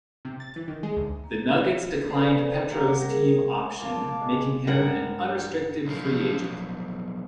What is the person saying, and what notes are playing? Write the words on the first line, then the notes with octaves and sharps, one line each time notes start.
The Nuggets declined Petro's team option, making him an unrestricted free agent.
C3
A6
E3
D#3
G#3
D2
A#3
F4
A4 B4 C5 D5 B5
A#3 G4 F5 F#5 A#5 D6
G3 G#4 A#4
A#3 F4 F5 A5 D6
G#3
G2 A#4 F#5
B1 F3